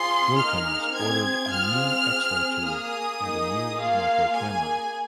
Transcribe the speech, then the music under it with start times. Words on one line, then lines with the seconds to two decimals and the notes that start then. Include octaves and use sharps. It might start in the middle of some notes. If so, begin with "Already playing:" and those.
Wilkins ordered a new X-ray tube and a new microcamera.
Already playing: C4 F4 G#4 C6
0.37 A#3 D#4 G#4 F6
0.94 C4 G#4 G#6
1.51 C4 F4 G#4 F6
2.07 C4 G#4
2.64 A#3 G#4 D#6
3.21 A#3 D#4 G#4
3.78 A#3 F4 G#4 F5
4.34 A#3 G#4 G#5